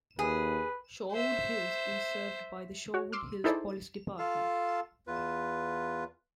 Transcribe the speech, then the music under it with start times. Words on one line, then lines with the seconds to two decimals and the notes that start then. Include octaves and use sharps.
Shorewood Hills is served by the Shorewood Hills Police Department.
0.19 D#2 G#4 B4
1.12 C5 E5
2.94 F#4 C#5
3.12 C6 D6 E6 F6
3.44 D#4 E4 G#4 A4 C5 D5
4.19 F4 A4 F5 A5
5.07 E2 F4 B4